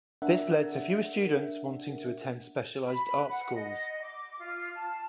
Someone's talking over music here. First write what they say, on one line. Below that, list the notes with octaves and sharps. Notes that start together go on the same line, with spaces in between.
This led to fewer students wanting to attend specialised art schools.
D4 A#4 E5 F#5
B5
B4
F#5
D#5
D6
F4
A5